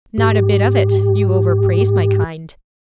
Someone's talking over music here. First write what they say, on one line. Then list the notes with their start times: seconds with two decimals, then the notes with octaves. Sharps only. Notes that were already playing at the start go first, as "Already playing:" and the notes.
'Not a bit of it; you overpraise my kind.'
0.18 G#2 G4